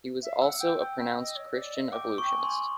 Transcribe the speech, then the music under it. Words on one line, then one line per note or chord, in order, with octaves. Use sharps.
He was also a pronounced Christian Evolutionist.
E5
F5
F#5 E6
G5
G5
G5
D#5
C#5
D#5
D5
D#5
G5 D6
C#6
G#5
C6